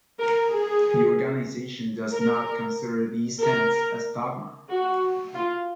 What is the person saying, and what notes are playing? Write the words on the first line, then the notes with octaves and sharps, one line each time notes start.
The organisation does not consider these tenets as dogma.
A#4
G#4
A#4
A#4
F#4
F4